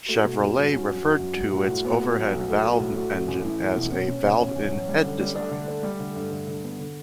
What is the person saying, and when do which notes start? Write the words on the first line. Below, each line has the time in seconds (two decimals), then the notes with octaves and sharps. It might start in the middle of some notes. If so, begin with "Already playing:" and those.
Chevrolet referred to its overhead-valve engine as a "valve-in-head" design.
0.08 A3 F#4
0.24 B2
0.40 E1
0.56 G2 F#4
0.72 C#4
0.88 F#3
1.04 F#2
1.20 F#2
1.36 G3
1.52 A2 F#4
1.68 A2
1.85 B3
2.00 A3
2.16 F#3
2.33 B1
2.49 A3
2.64 A3
2.80 A2
2.96 A3 F#4
3.12 A3
3.28 A1
3.44 A3 E4
3.60 E2
3.76 B2
3.92 B2 C#4
4.08 B2
4.24 B2
4.40 A1
4.56 A1
4.72 F#3
4.88 G3
5.04 D3
5.20 G3
5.35 A3 D4
5.51 D3
5.67 D4
5.83 G3
6.00 D3
6.16 G2
6.31 D3
6.48 D3
6.64 B3
6.79 D3